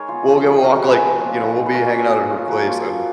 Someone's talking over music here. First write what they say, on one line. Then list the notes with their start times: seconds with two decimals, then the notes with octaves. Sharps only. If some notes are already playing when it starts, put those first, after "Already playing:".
we'll go walk, like, you know, we'll be hanging out at her place, and
Already playing: G#3 D#4 G#4 A#4 C#5
0.09 B3 F4
0.27 F3
0.46 B3 D#4
0.64 F3 F#4 A#4
0.76 F#4 A#4
0.82 G#3 B3
0.88 G#4 B4
1.01 F3
1.19 A#3 C#4 F4
1.38 G#3
1.56 D#4
1.66 B4
1.74 A#3 F#4 A#4
1.92 C#4 F4
2.12 A#3
2.29 C#4 F4
2.48 F3 F#4 A#4
2.67 A#3 F4
2.85 F3